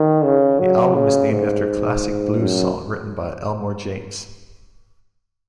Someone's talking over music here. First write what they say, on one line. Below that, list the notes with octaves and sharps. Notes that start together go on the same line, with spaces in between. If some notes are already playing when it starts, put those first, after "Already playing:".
The album is named after a classic blues song written by Elmore James.
Already playing: D#3
C#3
F#3
C#3
G#2
F#2